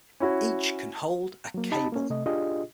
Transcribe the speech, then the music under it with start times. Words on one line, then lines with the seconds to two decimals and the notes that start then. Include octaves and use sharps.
Each can hold a cable.
0.20 C#4 E4 F#4
1.54 F#3 A#3
1.72 D#4 G4 D#5 A5 B5
1.92 A#3 C#4
2.10 C3 A3 D#5
2.26 D4 F4 G4 G#4 D#5